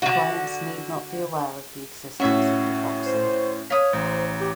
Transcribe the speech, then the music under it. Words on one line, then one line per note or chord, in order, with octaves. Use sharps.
Clients need not be aware of the existence of the proxy.
D3 F#4
A2 C#4 F#4 E5
C5
C#5 F5 D#6 B6
A1 C5
G4